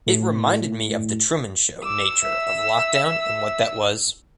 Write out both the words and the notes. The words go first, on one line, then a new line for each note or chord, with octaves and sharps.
It reminded me of The Truman Show nature of lockdown and what that was.
A2
D6 E6
E5
E5